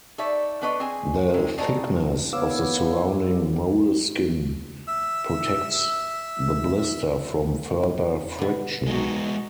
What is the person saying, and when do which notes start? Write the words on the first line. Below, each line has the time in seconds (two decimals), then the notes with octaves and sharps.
The thickness of the surrounding moleskin protects the blister from further friction.
0.18 D#4 A4 C#5 D5 E5
0.61 B3 D4 B4 C#5 D#5
0.80 C4 G#4 G#5
1.34 C3 G#3
1.58 A2 G#4 D5 D#5 A5 A#5
2.33 B3 C#5 F5 D6 E6
4.88 E5 E6
8.39 B2 D3
8.87 G#3 B3 D#4 F#4